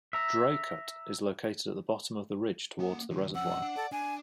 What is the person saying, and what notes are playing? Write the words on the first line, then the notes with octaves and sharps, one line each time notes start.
Draycote is located at the bottom of the ridge towards the reservoir.
E5 A#5
A#3 F#5
D#2 C#3
F2 C#4 F#5 E6
D4
A4 D5
D4 G#5